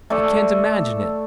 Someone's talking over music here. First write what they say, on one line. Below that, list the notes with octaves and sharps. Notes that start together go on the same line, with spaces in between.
I can't imagine it.
A3 A4 D5